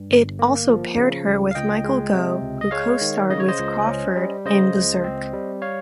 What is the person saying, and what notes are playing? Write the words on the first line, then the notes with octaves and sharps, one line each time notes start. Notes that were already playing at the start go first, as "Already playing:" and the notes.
It also paired her with Michael Gough, who costarred with Crawford in Berserk!
Already playing: G2
G1
A#3
F3
C#3
C#2
F5
C#2 D#5 G5
G#3
C3
C#2
D#5
G#3 C#5 F5
D#3
C#3 D#5
C#5
C5 D#5
C#2
C#4
G3
C#3 C5 D#5
C#2
C4
G3
C#5 F5